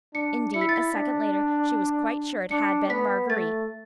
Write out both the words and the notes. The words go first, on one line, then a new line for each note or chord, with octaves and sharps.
Indeed, a second later, she was quite sure it had been Marguerite.
D4 C#7
E4 C#7
B6
A6
B6
D4
D4 C#7
B3 B6
A3 A6